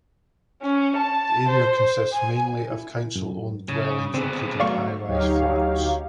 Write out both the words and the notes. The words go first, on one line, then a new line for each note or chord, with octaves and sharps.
The area consists mainly of council owned dwellings including high rise flats.
C#4
A5
C5
G#5
E4
F#2
C#3
D3 B3 C4 G#4
F#3 A3 D5 F5 C#6
D2 F#3 D#4 G4 C#5 F5